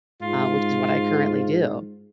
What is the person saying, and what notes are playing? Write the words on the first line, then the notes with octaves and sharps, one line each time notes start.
uh, which is what I currently do.
G#2 F4